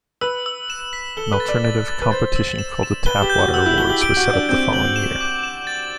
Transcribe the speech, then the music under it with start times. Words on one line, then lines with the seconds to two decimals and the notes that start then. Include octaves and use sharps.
An alternative competition called the Tap Water Awards was set up the following year.
0.21 B4 E6
0.46 E6
0.70 E7
0.93 B6
1.17 A4 G7
1.32 B4
1.40 A6
1.48 D5
1.64 D5 A6
1.88 A6
2.02 B4
2.11 C5 A6
2.36 E6
2.58 E7
2.83 E7
3.06 B4 G7
3.22 G4
3.30 G6
3.38 F#4
3.54 F#4 E6
3.66 E4
3.78 F#4 G7
3.90 G4
4.01 G4 D7
4.17 F#4
4.26 G6
4.33 D4
4.49 C4 G6
4.73 F#7
4.96 E7
5.21 D6
5.44 E7
5.67 A6